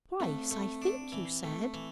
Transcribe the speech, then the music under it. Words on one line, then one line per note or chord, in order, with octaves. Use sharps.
"Twice, I think you said?"
A3 C4
A3
D4
E3
A3
E3